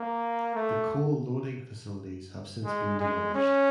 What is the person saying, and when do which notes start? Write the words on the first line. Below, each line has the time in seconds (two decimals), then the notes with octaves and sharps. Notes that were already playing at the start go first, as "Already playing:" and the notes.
The coal loading facilities have since been demolished.
Already playing: A#3
0.55 A3
2.65 G#3
2.99 G#3
3.35 C#4